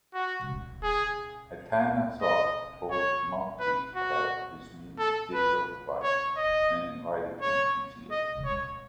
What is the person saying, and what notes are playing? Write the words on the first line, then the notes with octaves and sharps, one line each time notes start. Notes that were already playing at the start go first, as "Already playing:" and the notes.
Atanasoff told Mauchly about his new digital device and invited him to see it.
F#4
G#4
D#5
C#5
B4
F#4
A4
B4
C#5
D#5
C#5
D#5
C#5